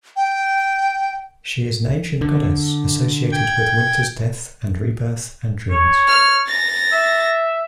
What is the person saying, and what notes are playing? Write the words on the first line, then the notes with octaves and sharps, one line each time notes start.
She is an ancient goddess associated with winter's death and rebirth and dreams.
G5
D3
G5 G#6
C#5
F6
A6 A#6
E5